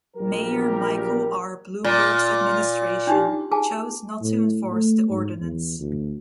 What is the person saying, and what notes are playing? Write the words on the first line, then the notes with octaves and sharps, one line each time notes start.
Mayor Michael R. Bloomberg's administration chose not to enforce the ordinance.
A#1 F#3 G3 G4 A#4
A#2 D5
D4 D#4 G4
G#4 G#5 A5
A2
A3
G#2
E2
D2